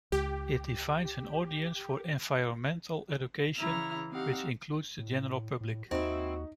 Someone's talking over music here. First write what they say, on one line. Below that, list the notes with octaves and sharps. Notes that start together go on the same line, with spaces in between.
It defines an audience for environmental education, which includes the general public.
C#2 G4
C#3 E3 E4 A#5 F6
C4 D#4 G4 F5 F#5
A2
A2
D#2 C4 D#4 E4 F#4